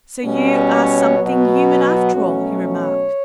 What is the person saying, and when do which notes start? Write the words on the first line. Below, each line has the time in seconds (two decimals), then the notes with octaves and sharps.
"So you are something human, after all," he remarked.
0.24 B2 G3 C#4
0.71 C#5
1.18 B2 F#3 B3 F#4
2.14 B2 F#3 A3 C#4
2.61 C#5